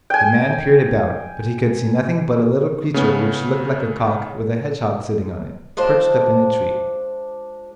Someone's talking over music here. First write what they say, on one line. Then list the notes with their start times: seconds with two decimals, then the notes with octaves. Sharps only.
The man peered about, but he could see nothing but a little creature which looked like a cock with a hedgehog sitting on it, perched up in a tree.
0.10 G5 G#5
2.94 C#3 A3 B3 C#4
5.77 G#3 D4 F4 C5